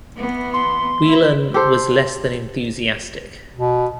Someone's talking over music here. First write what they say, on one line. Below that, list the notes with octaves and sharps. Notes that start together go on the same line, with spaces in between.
Whelen was less than enthusiastic.
E3 B3
C6
E4
G4 A4 C5
B2